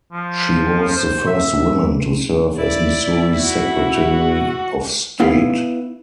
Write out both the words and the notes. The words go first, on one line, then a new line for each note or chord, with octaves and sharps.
She was the first woman to serve as Missouri Secretary of State.
F3
C5
E5
E4 D5
F#4
B3 E4 F5